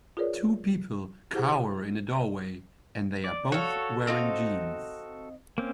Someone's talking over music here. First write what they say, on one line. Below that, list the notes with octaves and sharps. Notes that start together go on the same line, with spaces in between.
Two people cower in a doorway and they are both wearing jeans.
F4 G#4 A#4 B4 C#5 D5
E4 G4 G#4 C5 F#5
D5
F#4 A4 C#5 F5
C4 D#4 F5
A#3 C4 C#4